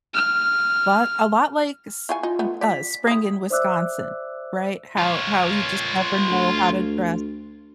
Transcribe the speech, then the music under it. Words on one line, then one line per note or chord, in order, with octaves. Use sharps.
but a lot like s m uh, spring in Wisconsin, right? How how you just never know how to dress,
F6
E4 F4 G#5 C#6
D#4 F4
A3 B3
D5 B6
A3 E4 D#6
C5 D5 E5 D6 E6 F#6
F4 C#5
D2